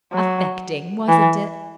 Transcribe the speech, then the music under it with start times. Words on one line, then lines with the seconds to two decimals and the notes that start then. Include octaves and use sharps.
Affecting! wasn't it?
0.12 F#3
1.09 E3